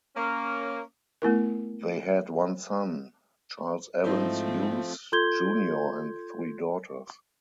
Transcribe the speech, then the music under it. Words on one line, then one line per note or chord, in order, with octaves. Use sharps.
They had one son, Charles Evans Hughes Junior and three daughters.
A#3 C#4
A3 B3 E4 A#4
G#2 F3 A3 C4 D#4 E4 C5
F4 A4 C6 G6 G#6 G7